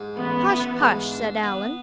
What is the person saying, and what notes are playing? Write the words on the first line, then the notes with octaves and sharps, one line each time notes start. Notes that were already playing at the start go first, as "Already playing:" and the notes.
"Hush! hush!" said Allan.
Already playing: G#2
A1 B3
E3
G#2
D4
B3